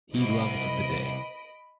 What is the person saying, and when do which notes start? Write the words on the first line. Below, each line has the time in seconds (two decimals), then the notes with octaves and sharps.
He loved the day.
0.14 C2 D#5 B5 D7